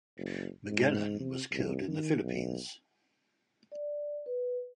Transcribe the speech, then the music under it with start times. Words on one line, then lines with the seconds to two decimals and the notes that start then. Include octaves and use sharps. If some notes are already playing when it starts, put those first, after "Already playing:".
Magellan was killed in the Philippines.
0.18 F#1
0.66 G#2
1.20 C3
1.52 C2
1.87 D#3
2.22 B1
3.72 D5
4.26 B4